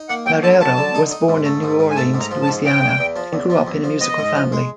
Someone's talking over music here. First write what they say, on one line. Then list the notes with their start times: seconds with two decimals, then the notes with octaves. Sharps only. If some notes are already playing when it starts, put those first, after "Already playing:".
Marrero was born in New Orleans, Louisiana and grew up in a musical family.
Already playing: D#4
0.09 A#3 F#5
0.26 F#3 G5
0.43 D3 A5
0.60 F#3 A5
0.77 D3
0.95 D#4
1.11 D#4
1.28 G#2
1.45 A3
1.63 G#2
1.79 G#2
1.90 G#5
1.96 A3 A5
2.14 G#2
2.20 A#5
2.31 F3
2.42 A5
2.48 G#2
2.65 C#3 G5
2.82 E2
2.99 E2
3.16 F3
3.33 E2
3.50 F3
3.67 E2
3.84 F3
4.01 B3 D#5
4.18 G#2
4.35 F3
4.52 G#3